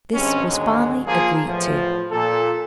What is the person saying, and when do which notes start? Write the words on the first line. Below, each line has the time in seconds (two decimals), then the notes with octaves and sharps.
This was finally agreed to.
0.14 G#1 G2 G#3 C4 C#4
0.47 D#2 G#2 D3 F#3 G#3
1.07 F3 A#3 F4 G#4
1.46 E2 A2 F3
2.12 A#2 A4